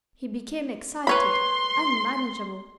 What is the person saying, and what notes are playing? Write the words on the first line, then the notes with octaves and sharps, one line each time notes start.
He became excited, unmanageable.
B4 C#5 B5 C6